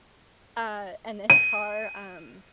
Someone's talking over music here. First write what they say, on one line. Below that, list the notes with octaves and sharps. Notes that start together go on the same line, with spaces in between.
Uh, and this car, um,
D#7